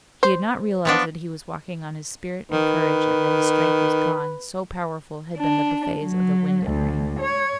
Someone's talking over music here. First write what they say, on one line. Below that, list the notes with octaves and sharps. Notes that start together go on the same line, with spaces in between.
He had not realized that he was walking on his spirit and courage and that his strength was gone, so powerful had been the buffets of the wind and rain.
C5
F3 B3 D4
D#3 B4
D4
F#3
D2
C#5